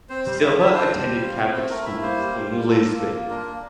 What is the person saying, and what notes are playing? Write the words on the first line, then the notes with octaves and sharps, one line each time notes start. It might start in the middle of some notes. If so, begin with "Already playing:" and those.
Silva attended Catholic schools in Lisbon.
C4 C5
G3 C5
G3 E5
E4 E5
D4 C5
G3
G3
F4
C4
A3
A3 A#4
E4 E5
A#3 C5
G3
G3
F4
F4 A4
A#3
F4
A#3
D4 A#4
A#3